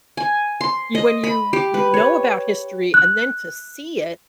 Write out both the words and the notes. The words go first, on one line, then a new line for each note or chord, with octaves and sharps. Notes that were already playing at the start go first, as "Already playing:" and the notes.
you when you you know about history, and then to see it
G#5
C6
D#5
B5
G4
B4
C#5
F#6